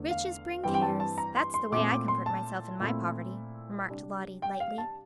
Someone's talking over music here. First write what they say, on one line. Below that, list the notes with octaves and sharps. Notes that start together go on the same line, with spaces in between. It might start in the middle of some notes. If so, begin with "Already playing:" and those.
"Riches bring cares; that's the way I comfort myself in my poverty," remarked Lottie, lightly.
Already playing: E2 D3 A3
F5
G2 E3 G3 C4 G5
G5
A5
A5
A#5
C6
C6
A#2 A3 C4 E4 D6
D6
C6
A5
A#2 A3 C4 E4
C3 G3 D4
G5
F5
A5